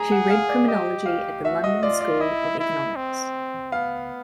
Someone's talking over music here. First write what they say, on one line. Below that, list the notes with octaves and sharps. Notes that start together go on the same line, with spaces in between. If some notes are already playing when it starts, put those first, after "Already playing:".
She read criminology at the London School of Economics.
Already playing: G#4 A#5
F#5
F5
D5
G4 D#5
F5
F#4 E5
D#5
F4 D5
D5
E4 D#5
E4
C4
B3 F5